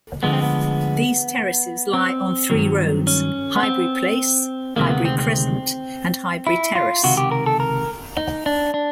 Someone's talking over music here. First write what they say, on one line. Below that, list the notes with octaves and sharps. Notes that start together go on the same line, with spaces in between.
These terraces lie on three roads: Highbury Place, Highbury Crescent, and Highbury Terrace.
D2 D3 F3 G#3 B3
C4
B3
C4
G2 D#3 F#3
C#4
B3
C4
D2 C3 D#3 G#3 A#3
B3
C4
C4
E4
F4
C#2 C3 D#3 F#4
G4
A#4
A4
A#4
D#4
D4
D4